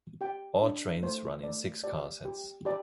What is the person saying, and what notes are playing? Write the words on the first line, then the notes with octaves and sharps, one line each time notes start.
All trains run in six-car sets.
G4 G5
D4
A3 C5
A3 D5
G4 D5
G4
G4 D5